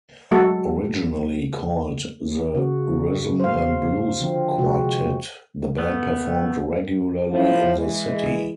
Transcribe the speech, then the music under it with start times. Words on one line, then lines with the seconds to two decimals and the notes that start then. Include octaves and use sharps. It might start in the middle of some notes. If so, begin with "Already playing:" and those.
Originally called the Rhythm and Blues Quartette, the band performed regularly in the city.
0.31 F#3 G#3 A3 F#4 A4
2.55 C#3 F#4
3.40 C5 F5
4.20 D3 F3 C4
4.58 C3 G#3 F#4
5.78 A3 B3
7.30 A2 F3
7.77 E3 G#3